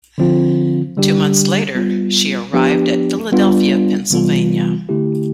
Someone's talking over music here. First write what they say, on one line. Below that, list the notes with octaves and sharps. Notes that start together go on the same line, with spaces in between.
Two months later, she arrived at Philadelphia, Pennsylvania.
D3 F3 C4 F4
D3 G3 D4 G4
G3 B3 F4
F3 B3 D4 G4
G3 B3 D4 F4
C3 E3 G3 B3 F4
D3 A3 E4 G4